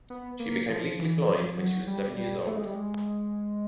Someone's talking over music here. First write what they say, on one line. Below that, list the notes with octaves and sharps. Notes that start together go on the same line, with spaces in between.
She became legally blind when she was seven years old.
B3
A#3
F3
E3
F3
F#3
G3
G3
A3
G#3
G3
G#3